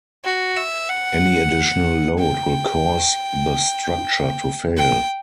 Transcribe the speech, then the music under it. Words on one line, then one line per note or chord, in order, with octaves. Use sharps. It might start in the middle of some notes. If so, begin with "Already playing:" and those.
Any additional load will cause the structure to fail.
F#4
E5
F#5
G5
G5